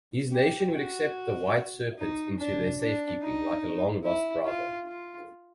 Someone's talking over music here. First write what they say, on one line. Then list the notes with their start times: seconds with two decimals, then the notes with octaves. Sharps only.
His nation would accept the "white serpent" into their safekeeping like a long-lost brother.
0.32 G4
0.74 F#4
1.98 D#4
2.39 D4
2.80 D4
3.22 D#4
4.04 E4
4.46 F4
4.87 F4